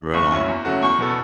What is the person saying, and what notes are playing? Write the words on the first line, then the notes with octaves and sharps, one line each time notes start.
Right on.
F#1 C#6
F#2 F#3 C#4 E4
E2
C#3 F#3 A3 F#4
E2 C#6
B2 B3 A4